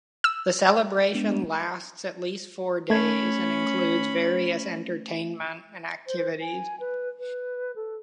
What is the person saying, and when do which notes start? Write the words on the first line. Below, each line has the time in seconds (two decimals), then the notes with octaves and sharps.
The celebration lasts at least four days, and includes various entertainment and activities.
0.24 E6
1.15 G#3 B3 D4
2.90 A3 C#4 B5 G#6
6.07 C5
6.41 G#5
6.80 B4
7.19 B4
7.76 A4